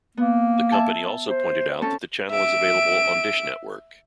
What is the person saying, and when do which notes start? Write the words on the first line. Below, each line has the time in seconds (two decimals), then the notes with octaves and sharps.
The company also pointed out that the channel is available on Dish Network.
0.17 A#3 B3
0.72 E5 G#5 A5
1.29 C5
1.82 C4 C#4 A4
2.31 E5 D7